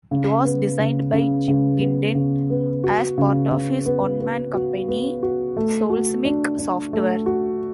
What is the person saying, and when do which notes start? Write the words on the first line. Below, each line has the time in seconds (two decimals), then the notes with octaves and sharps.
It was designed by Jim Gindin, as part of his one-man company, Solecismic Software.
0.11 C#3
0.45 B3
0.79 C#3
1.13 C#3
1.48 C#3
1.81 B3
2.15 C#3
2.50 B3
2.84 F#4
3.18 C#3
3.51 C#3
3.86 B3
4.20 B3
4.54 F#4
4.88 B3
5.23 F#4
5.57 A3
5.90 F#4
6.25 D4
6.59 D4
6.93 A3
7.26 F#4